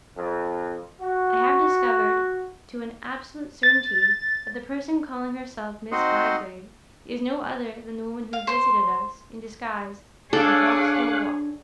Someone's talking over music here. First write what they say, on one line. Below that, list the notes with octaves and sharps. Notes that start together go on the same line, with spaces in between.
I have discovered, to an absolute certainty, that the person calling herself Miss Bygrave is no other than the woman who visited us in disguise at Vauxhall Walk.
F2
F#4
A6
C4 D#4 F#4 C5 D#5
F5
C5 C6
D4 G#4 A4 C#5 F5 A5 D6 F#6